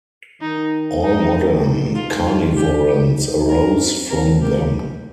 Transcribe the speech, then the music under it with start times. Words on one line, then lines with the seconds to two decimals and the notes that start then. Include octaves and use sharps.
All modern carnivorans arose from them.
0.41 D#3 D#4
1.03 G3 D#4
1.34 A#3
1.64 D#4
1.95 F4
2.26 F4
2.57 D4 G4
2.87 D#4 G4
3.19 D#4
3.49 D#4 A#4
3.79 C4
4.11 C4 A#4
4.41 A#3 G4